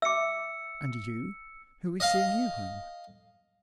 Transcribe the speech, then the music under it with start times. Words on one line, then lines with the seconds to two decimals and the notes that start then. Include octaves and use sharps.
"And you, who is seeing you home?"
0.02 E5 D6 E6 C#7
2.00 D#5 F5